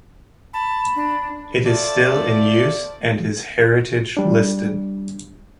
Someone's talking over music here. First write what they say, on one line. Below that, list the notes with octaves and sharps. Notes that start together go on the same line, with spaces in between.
It is still in use and is heritage-listed.
A5 B5
D4
F3 A3 D5
G3 D4